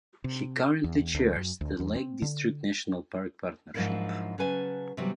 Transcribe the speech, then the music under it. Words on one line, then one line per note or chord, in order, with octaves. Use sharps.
He currently chairs the Lake District National Park Partnership.
C3
E2
D2
F#2
D2
E2
C4
D3
G#2 F3 F#3 A#3 D4 E4
C#3 F#3 B4 G#5 A5
C3 E3 F#3 G3 B3